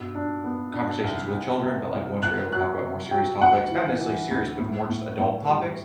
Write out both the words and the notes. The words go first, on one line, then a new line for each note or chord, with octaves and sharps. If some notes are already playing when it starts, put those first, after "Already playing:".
conversations with children, but like once you're able to talk about more serious topics, not necessarily serious, but more just adult topics,
Already playing: G2 B2
D4
B3
D4
C2
C2
C3
C2
C2 F#6
F#3 F#6
C3
F#3 G5
D2 F#5
E3
E3
D2
A2
A2
A2
G3